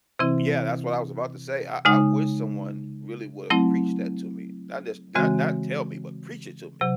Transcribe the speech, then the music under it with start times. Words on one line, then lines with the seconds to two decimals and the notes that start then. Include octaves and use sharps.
Yeah, that's what I was about to say, I I wish someone really would've preached that to me. Not just not not tell me, but preach it to me,
0.19 C3 E3 C4 E4
1.85 C#3 G#3 D#4
3.50 F#3 A3 C4 E4
5.15 C#3 E3 G#3 C4 F#4
6.81 C3 F#3